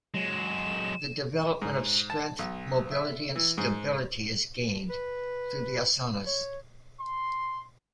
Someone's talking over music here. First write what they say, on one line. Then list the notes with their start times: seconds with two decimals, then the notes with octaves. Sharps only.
The development of strength, mobility and stability is gained through the asanas.
0.14 F#3 G#3 E7
1.62 G#2
2.10 A5
2.39 B1
2.91 E5
3.36 E3
3.58 G#2
4.90 B4
6.27 C#5
7.00 C6